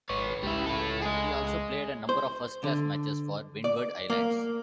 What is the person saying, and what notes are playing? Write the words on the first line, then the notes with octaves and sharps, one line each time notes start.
He also played a number of first class matches for Windward Islands.
G#1 B4 C#5
C#2 G3 E4
E4 A4
G#4 D#5
C5
D3
D5
A#3